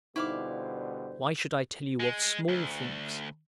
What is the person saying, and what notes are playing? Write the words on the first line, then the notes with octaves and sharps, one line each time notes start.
Why should I tell you of small things?
B2 D3 G3 D#4 E4 C5 F5 D6
G#3
D2